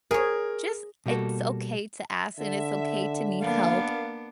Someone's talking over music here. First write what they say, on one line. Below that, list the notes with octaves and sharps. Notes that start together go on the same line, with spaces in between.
just it's okay to ask, and it's okay to need help,
G#4 A#4 C#5
B2 G3 A#3 F#4 A4
D3 E5
A#3 B3 D4 F5